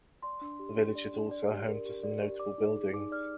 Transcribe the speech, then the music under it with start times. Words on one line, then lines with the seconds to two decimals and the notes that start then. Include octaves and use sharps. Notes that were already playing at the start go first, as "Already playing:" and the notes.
The village is also home to some notable buildings.
0.23 D5 C6
0.41 D4
0.60 G4
0.77 D4
0.95 D5
1.14 D4
1.31 D5
1.49 G4
1.67 A#4
1.86 G4
2.03 D5
2.21 G4
2.39 D5 D6
2.58 D#4
2.76 G#4
2.94 D#4 D6
3.12 D5 F6